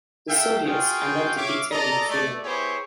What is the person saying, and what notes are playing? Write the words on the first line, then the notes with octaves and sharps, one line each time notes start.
The Soviets are not depicted in the film.
G#4 A4 E5 F5 G5
F4 F#4 G#4 F5 G5
C#5 E5 F5 D6
A4 D5 D#5 A#5
A3 D5
B3 E4 G4 G#4 C5 C#5